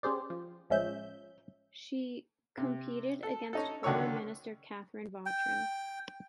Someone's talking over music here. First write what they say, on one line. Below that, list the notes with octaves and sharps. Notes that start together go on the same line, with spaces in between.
She competed against former minister Catherine Vautrin.
C#4 G4 G#4 C5 D5
F3
A1 F3 G#3 C#4 E5 G6
C3
A4
C#4 D#4 A4
C#2 D3 D#3 F#3 C#5 E6
G5